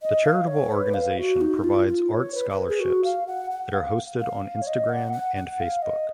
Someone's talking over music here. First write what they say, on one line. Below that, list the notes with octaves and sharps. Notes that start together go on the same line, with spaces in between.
The charitable organization provides art scholarships that are hosted on Instagram and Facebook.
D#5
F5
C#5
B4
F5
F#4
D#4
F4
F4
C#5
B4
B4
A#4
G#4
F#4
F5
F#5
F#5
F5
F5
C#5
D#5
F#5
F#5
F#5
F5
D#5